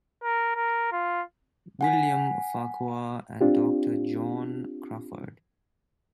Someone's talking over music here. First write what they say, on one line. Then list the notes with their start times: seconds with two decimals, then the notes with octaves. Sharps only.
William Farquhar and Doctor John Crawfurd.
0.24 A#4
0.55 A#4
0.92 F4
1.81 F#5 G#5 B6
3.41 C4 D4 F4 G4